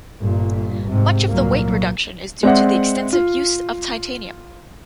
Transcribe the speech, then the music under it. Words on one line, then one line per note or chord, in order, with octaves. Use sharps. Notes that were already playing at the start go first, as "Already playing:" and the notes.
Much of the weight reduction is due to the extensive use of titanium.
G1 A#2
G#2 C3
C2 A#2 F#3 A#3
G#3 C4 D5 E5 F#5
F4